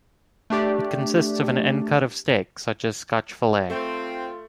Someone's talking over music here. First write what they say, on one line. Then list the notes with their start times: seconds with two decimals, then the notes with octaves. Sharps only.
It consists of an end cut of steak, such as scotch fillet.
0.50 A3 D4 G4 D5
3.70 A3 C4 F4